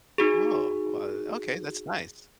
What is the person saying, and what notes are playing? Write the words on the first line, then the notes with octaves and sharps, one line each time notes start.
Oh, uh, okay, that's nice.
D#4 F#4 G#4